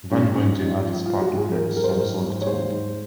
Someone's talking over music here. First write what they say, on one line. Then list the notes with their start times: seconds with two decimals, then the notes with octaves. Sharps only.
Van Bunge had his part to play with some solid scores.
0.11 G#2 C#4
0.35 G#2 C#4
0.59 F3 D#4
0.83 F3
1.06 F3 F4
1.21 F#4
1.29 G#2
1.37 G#4
1.52 F3 A#4
1.76 F3 A#4
1.84 C5
1.91 A#4
2.00 G#2 C5
2.23 G#2
2.42 C#5
2.47 G#2 C5
2.70 G#2